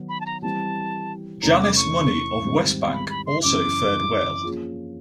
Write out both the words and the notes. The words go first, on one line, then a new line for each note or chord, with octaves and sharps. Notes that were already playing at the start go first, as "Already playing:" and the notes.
Janice Money of Westbank also fared well.
Already playing: D#3 F#3 B3
B5
A5
A#5
E3 G3 C4 A5
E2 C3 E3 A3 C#4 A#5
D6
C#6
G#2 D#3 G3 C4
B5
B5
C6
F#2 C#3 E3 D6
F3 A#3 C#4 F4 G#4